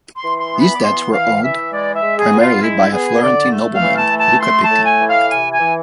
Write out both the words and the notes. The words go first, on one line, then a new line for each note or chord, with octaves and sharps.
These debts were owed primarily by a Florentine nobleman, Luca Pitti.
C6
E3
C6
B3
B5
D6
E3 C6
E3 F5
E3 E5
G#3 D5
E5
G#3
G#4
B3
F4
G#3 E4
B3 G#4
D3 D5
A3
F5
E3
A5
A3
A5
A3 C6
A5
A2
G#5
E3
F5
C3 G#5
G#5
E3